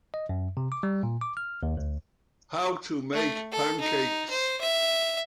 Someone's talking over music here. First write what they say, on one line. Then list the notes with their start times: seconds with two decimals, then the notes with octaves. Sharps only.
How to make pancakes.
0.14 D#5
0.29 F#2
0.57 C3
0.72 D6
0.83 G3
1.03 A#2
1.21 D6
1.37 F6
1.63 D#2
1.77 D2
3.13 A3
3.52 A4
3.80 D#4
4.30 C5
4.61 E5